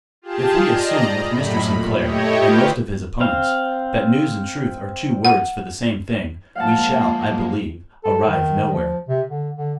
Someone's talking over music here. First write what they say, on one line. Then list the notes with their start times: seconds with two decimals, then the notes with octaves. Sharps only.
If we assume with Mr. Sinclair, and most of his opponents, that news and truth are two words for the same thing, we shall, I believe, arrive nowhere.
0.22 F4 G4 G#4 A5
0.63 D5 D#5 A#5
1.22 F#2 A2 B5
1.60 A#2
1.96 A3 E4 G4 C#5 D#5
2.37 F4 G4 B4
3.20 C4 F5
5.25 F#5
6.55 F3 G#3 A#3 F5 F#5 A5
8.04 A4
8.28 D#3
8.73 F3
9.08 C3
9.30 D3
9.57 D3